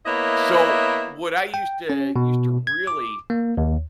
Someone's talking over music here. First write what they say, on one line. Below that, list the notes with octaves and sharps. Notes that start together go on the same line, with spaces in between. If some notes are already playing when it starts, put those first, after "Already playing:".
So, what I used to used to really
A#3 B3 E4 C#5 D#5 E5
G5
C#4
B2
G#6
D6
A#3
D#2